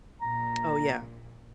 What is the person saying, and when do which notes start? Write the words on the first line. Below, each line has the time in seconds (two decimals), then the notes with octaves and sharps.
Oh, yeah.
0.21 A#1 A#2 A#5